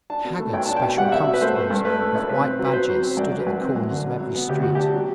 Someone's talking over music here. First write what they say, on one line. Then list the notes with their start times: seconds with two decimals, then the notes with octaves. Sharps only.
Haggard special constables with white badges stood at the corners of every street.
0.10 D4 A5
0.24 B2
0.39 A3
0.53 B1 G5
0.66 D4 A5
0.76 G5
0.82 B2
0.97 G3 F#5
1.08 F#5
1.12 B2 E5
1.26 B2
1.33 B4
1.41 A3 C5
1.56 A3
1.70 G2
1.85 A3 B4
2.01 A3
2.15 B1
2.29 C4 B4
2.44 C4
2.59 F#3
2.65 B4
2.73 B2 C5
2.89 F#3
3.03 C4
3.17 F#2 D5
3.32 F#3
3.40 B4
3.47 F#2
3.61 C4
3.76 F#2
3.91 D3
4.06 B2
4.20 F#3
4.35 B3
4.49 D2 G4
4.63 D2 F#4
4.75 D4 G4
4.93 F#3